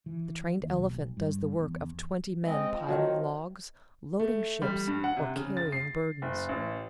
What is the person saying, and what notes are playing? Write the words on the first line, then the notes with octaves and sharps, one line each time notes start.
The trained elephant does the work of twenty men piling logs, loading ships, or carrying burdens.
E3
D#2
B1
G2
E2
G#3 C4 D#5
F3
D#3 F#3 C4
A3
G3
G2
F#5
C3
C#3
A6
C7
F#1
A1